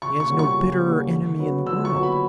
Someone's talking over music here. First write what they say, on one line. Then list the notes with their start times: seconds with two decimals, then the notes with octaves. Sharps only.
He has no bitterer enemy in the world!
0.02 C#3 C#6
0.20 C#6
0.30 G3 A#3 C#4 F#4
0.39 C#6
0.57 C#3
0.84 G3 A#3 C#4 F#4
1.11 D3
1.39 F#3 B3 F#4
1.66 D3 E6
1.85 C#6
1.94 F#3 B3 F#4
2.03 B5